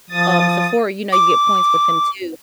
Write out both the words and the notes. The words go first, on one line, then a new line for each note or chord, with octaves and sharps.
um, Sephora. You know, you get points with them too,
F3 D#6 A6
D6